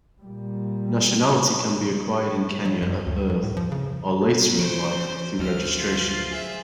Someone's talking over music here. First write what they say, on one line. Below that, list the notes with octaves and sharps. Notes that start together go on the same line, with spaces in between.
Nationality can be acquired in Kenya at birth or later in life through registration.
A#2 G3
F#3
F#2
D2
F2
A2
F3
C#3
C#3 C5
D2 F#3 C5 F6
F4
G#4 E5